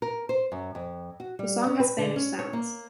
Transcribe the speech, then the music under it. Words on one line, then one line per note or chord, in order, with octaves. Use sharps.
The song has Spanish sounds.
A#4
C5
F#2
F2
F#4
G3
C#4
B4
D3
C#4
C#5
A#3